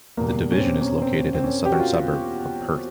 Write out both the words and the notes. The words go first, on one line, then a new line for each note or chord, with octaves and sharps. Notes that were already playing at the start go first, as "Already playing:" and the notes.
The Division is located in the southern suburbs of Perth.
E2 B2 G3 A#3
C#4
C4
C#4
C4
C4
C#4
G4
F#4
F4